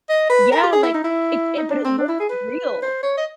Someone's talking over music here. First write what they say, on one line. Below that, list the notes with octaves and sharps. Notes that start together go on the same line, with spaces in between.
Yeah, like it i but it looks real.
D#5
B4
A#4
G4
G#4
E4
D#4
E4
D#4
D4
C4
D4
E4
G#4
B4
C5
C#5
D#5